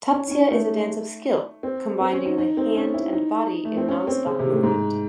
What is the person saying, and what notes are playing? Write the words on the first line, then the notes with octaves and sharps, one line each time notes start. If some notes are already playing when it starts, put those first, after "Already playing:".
Tatsia is a dance of skill, combining the hand and body in non-stop movement.
C#4
D#4
C#4
A3
C4
C4
C#4
D#4
D#4
C4
C#4
E4
D#4
A3
C4
C#4
C4
C#3
C3
A2
G#2